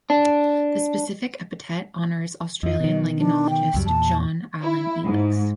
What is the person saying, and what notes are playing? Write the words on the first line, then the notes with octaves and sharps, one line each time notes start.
The specific epithet honours Australian lichenologist John Alan Elix.
D4
F2 F3 D#5
B2 D#3
D4
G5
C#2 F#2 G3
E2 A#2 A5
E4
G#2